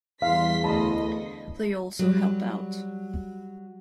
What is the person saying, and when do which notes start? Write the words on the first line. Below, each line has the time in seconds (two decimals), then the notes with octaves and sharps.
They also help out.
0.22 E2 G3 F5 C6 B6
0.64 D2 D#5 A5 B5
1.99 F#3 G3